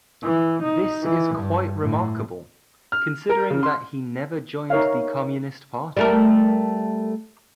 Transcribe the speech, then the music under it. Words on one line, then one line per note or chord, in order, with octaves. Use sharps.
This is quite remarkable, considering that he never joined the Communist Party.
E3
D#4
E3
G2
A2
F6
A#4
C#3
C6
D#4 A#4 C#5 E5 F5
G3 A3 A#4